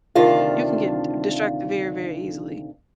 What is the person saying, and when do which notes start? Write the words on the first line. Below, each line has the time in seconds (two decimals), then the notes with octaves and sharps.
you can get d distracted very, very easily.
0.15 D2 C3 D#3 D4 F4 F5